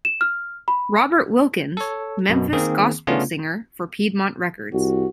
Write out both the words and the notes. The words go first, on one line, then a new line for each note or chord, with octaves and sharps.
Robert Wilkins: Memphis Gospel Singer, for Piedmont Records.
E7
F6
B5
A4 C#5
F#2 B2
D#3 A#3 C4 G#4
C#3 A3 B3 C#4 D4 F4
C2 F#4